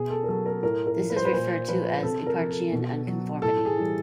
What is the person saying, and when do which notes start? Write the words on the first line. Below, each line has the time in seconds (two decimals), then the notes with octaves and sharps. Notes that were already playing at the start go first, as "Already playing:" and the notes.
This is referred to as Eparchaean Unconformity.
Already playing: B2 G#4
0.10 A4
0.23 A#4
0.28 F#3 A4
0.46 A#4
0.63 A2 A#4
0.86 A#4
0.97 F3
1.10 B4
1.16 C5
1.25 B4
1.33 A#2 C5
1.68 F3 B4
2.03 C3 A4
2.26 A#4
2.38 F3
2.50 A4
2.72 B2
3.07 F#3
3.42 A2 A4
3.65 G#4
3.77 E3 G3